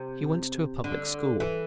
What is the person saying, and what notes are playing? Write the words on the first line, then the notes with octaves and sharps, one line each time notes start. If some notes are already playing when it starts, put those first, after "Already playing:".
He went to a public school.
Already playing: C3
D3
E3